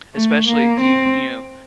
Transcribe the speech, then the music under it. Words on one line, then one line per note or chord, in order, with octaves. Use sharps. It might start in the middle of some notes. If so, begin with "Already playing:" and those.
Especially if you, you know
A3
A#3
C4